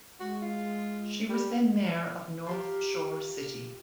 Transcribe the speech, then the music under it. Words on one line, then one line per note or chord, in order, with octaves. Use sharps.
She was then mayor of North Shore City.
G#3 F#4
F4
G3
F4 G4 A#4